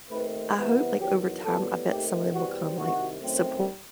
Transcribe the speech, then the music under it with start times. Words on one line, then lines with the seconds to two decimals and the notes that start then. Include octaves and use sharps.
I hope like over time I bet some of them will come, like support
0.10 D#2 D#3 A3 C4 B4
0.55 C2 C3 E3 B3
0.99 E2 D#3 F#3 G4
1.43 A2 G3 B3 A4
1.88 D#2 D#3 A3 C4 G4
2.33 E2 B2 G3 C4 F#4
2.77 C2 C3 D#3 F#4
3.21 F#2 D#3 A3 C4